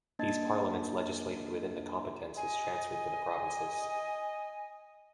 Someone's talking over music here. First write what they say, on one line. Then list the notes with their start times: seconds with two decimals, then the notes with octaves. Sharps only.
These parliaments legislated within the competences transferred to the provinces.
0.19 A#3 D4 D#5 A5 G#6 A6
2.36 D#5 G#5